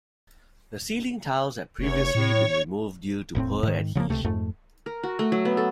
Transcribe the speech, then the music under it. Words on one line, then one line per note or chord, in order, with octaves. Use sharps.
The ceiling tiles had previously been removed due to poor adhesion.
F1 C#5 C#6
A2
E1 A2 B3 C4
G#2 D#3
C#3 F3 A3 A#3
C#2 C3 A3
F2 G#2 A3
A#4
F#4
A3
F#3
B3
A4